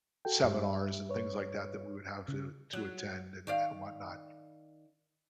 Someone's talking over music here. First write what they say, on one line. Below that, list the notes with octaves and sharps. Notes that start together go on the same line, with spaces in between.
seminars and things like that that we would have to to attend and and whatnot.
F#4 A4 G5
G2 G4 E5
B4 C#5
C#3
F#3
D#3 D5 F5